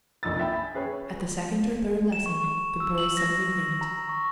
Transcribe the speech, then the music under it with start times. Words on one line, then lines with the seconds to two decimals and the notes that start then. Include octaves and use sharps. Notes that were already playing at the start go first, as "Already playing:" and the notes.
At the second or third lesson the boy suddenly grinned.
0.23 F1 A#1 D#4 E6 A6
0.40 E5 G5 B5
0.58 G#5
0.74 C#4 G#4 B4 C#5
2.12 E7
2.26 C#6
2.80 E6
2.98 F#7
3.17 A#6
3.81 A#5
4.09 C#6